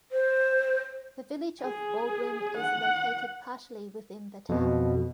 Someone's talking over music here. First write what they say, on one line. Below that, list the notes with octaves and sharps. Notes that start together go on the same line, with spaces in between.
The Village of Baldwin is located partially within the town.
C5
G#4
F#5
F2 B2